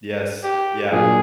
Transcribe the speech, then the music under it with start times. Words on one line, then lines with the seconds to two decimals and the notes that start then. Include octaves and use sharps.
Yes, yeah.
0.43 G4
0.92 A#2 F#3 A#3 D4 G#4